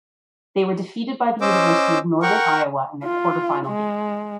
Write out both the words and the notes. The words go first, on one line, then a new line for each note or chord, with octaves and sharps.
They were defeated by the University of Northern Iowa in their quarterfinal game.
C#4 C5 D#5 D6 E6
A#4 F#5 G5 C#6
F4
G#3